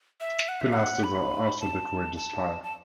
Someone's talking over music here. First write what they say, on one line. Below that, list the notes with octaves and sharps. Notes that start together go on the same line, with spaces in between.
Pilasters also decorate the spire.
E5
F#5
E5
F#5
B5
A5
A5
A5